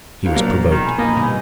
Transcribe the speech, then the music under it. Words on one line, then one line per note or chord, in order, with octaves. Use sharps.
He was provoked.
D2 G4 A4 F5
A#2 F#3 A#3 D5 A#5
E1 D#3 A#5
G#5 B5
A#1 A#3 D#4
G2 B2 D#3